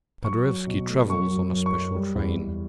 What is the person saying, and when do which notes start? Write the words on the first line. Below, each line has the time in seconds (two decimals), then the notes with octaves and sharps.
Paderewski travels on a special train.
0.25 F#3 C#6
0.46 F#3
0.67 B2
0.88 A3
1.09 F#2 C#6
1.30 F#3
1.52 F#2
1.66 C#6
1.73 F#2
1.94 G3
2.15 E2
2.37 E2